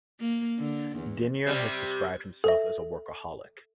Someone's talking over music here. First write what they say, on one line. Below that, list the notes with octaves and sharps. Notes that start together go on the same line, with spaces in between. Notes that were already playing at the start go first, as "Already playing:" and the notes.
Denyer has described himself as a "Workaholic".
A#3
D3
E2
C3 G3
A4 E5